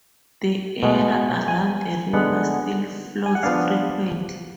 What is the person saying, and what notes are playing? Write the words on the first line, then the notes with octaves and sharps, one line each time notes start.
The area around the river still floods frequently.
B2 G#3 B3
G#5
D3 G#3 B3 F#5
G#5
F#5
F3 B3 D4 F5